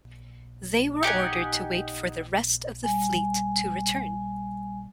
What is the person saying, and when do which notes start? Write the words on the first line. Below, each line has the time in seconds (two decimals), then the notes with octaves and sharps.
They were ordered to wait for the rest of the fleet to return.
1.03 D#4 G4 F#5 G#5
2.84 G3 G#5